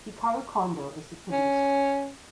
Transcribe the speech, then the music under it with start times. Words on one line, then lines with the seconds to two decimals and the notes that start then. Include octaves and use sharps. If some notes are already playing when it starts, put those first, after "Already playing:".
Hikaru Kondo is the producer.
1.32 C#4